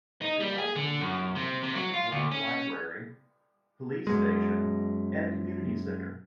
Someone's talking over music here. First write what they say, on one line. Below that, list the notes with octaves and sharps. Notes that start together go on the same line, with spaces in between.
They also usually contain a public library, police station and a community centre.
D#4
G3
G#4
D3
F#2
C3
C3
F#3
F4
D2
C#4
F#2 B2 G#3